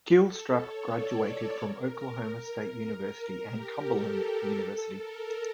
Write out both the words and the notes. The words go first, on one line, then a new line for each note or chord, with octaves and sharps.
Gilstrap graduated from Oklahoma State University and Cumberland University.
A4
C#5
D5
C#5
A#4
A#4
G4
A4
A4
A#4